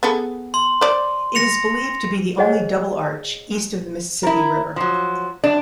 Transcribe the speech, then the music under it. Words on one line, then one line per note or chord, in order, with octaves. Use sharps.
It is believed to be the only double-arch east of the Mississippi River.
B3 G#4 A4
C6
C5 D5
A#6 C#7 F7
G#4 C5 C#5 D#5 F#5 G#5
E4 A#4
F3 F#3
F#2 D4 D5